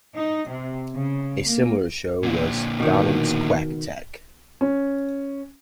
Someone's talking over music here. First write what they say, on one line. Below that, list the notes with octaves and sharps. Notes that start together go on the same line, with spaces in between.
A similar show was "Donald's Quack Attack".
D#4
C3
C#3
A#3
A#2 D3
B2 D#3
C#4